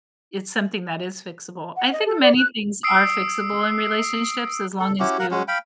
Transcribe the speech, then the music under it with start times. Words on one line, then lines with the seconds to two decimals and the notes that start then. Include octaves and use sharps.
it's something that is fixable, I think many things are fixable in relationships as long as you
1.77 F#5
1.92 D#5
2.06 A4
2.21 D5
2.36 F#6
2.83 D#6 E6 C7 D7
4.80 A4
4.99 C#4 E4 F#4 G4
5.19 A#4 F5 F#5
5.31 G#3 C#4 F#4
5.48 F5 G5 B5